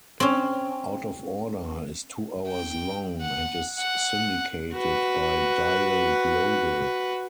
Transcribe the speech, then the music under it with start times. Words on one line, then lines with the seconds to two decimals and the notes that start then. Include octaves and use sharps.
"Out of Order" is two hours long and is syndicated by Dial Global.
0.20 C4 C#4
2.49 G5
3.22 F#5
3.79 F#5
4.73 F#4 B4